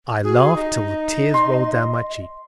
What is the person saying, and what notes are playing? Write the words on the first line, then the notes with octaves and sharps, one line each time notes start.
I laughed till the tears rolled down my cheeks.
F#4 G#4
D#4 D#5
C6